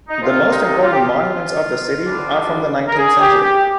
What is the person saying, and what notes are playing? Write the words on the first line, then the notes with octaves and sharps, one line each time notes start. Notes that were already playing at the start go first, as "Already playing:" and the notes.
The most important monuments of the city are from the nineteenth century.
D#4
C2 C3 D#3 F4
D#4
F4
G4
F4
D2 D3 G3 D4
A#4
G#4
G4
G4